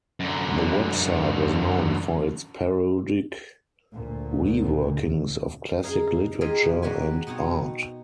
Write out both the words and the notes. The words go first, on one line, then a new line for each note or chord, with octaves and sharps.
The website was known for its parodic reworkings of classic literature and art.
F#2 D3
D2 A#2
D#4 G#4 F5
F4 G4 G#4 A#4 D#5
B2
F3 A#3 F#4 G4 B4 G#5
B2 C4 D#4 C#5